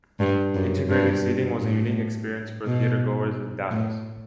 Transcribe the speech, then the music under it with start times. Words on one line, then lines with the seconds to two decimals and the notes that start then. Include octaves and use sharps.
Integrated seating was a unique experience for theatergoers in Dallas.
0.20 G2
0.54 F#2
0.89 G2
1.60 A2
2.66 B2
3.71 A2